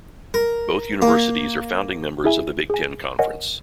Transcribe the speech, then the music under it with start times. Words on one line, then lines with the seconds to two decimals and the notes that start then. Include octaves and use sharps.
Both universities are founding members of the Big Ten Conference.
0.34 A#4
1.02 A#3
2.24 E4 G#4 E5 G#5
2.70 G#4 G#5
3.19 A#4 C#5 D#5 F#5 G#5